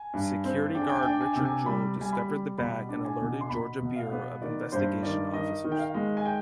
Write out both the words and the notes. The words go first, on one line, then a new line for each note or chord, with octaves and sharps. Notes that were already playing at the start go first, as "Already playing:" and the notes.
Security guard Richard Jewell discovered the bag and alerted Georgia Bureau of Investigation officers.
Already playing: G#5
G2
C4
D4 G5
G#5
G5
G#5
D4 G5
G#5
C3 G5
G#5
G3 B5
G3 G#5
B5
G3
B2 B5
D4
G#5
B2
C6
B2 B5
B2
F5
B3
D#3 D5
G2 C5
D#3 D5
D#3 D#5
D#3
G5
F5
G#3
G#5
G5